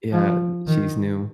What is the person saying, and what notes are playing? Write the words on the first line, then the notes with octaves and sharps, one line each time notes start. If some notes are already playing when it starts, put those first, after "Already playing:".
Yeah, she's new.
F3
D#3